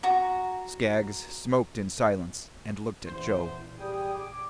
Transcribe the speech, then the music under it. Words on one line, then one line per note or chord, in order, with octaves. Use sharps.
Skaggs smoked in silence and looked at Joe.
F#4 A#5
A#1 E2 E3 C5
G3 G#4 G5 D#6
D6